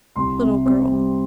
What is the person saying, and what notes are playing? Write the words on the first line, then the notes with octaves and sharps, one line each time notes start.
Little girl.
C2 C6
C3
C4
G3